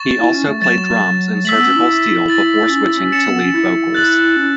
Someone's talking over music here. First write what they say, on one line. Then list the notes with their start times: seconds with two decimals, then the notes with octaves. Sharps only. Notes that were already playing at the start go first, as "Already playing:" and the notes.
He also played drums in Surgical Steel before switching to lead vocals.
Already playing: C#6 A6 E7
0.20 E4
0.34 C#4
0.48 A3
0.62 F#3 A6 E7
1.45 A3 E6 B6 F#7
1.56 B3
1.66 C#4
1.76 E4
2.28 A6 F#7
2.70 C#4
2.84 E4
2.98 C#4
3.12 C#4 A6 C#7 E7
3.26 B3
3.40 C#4
3.54 E4
3.95 F#6 A6 F#7
4.37 C#4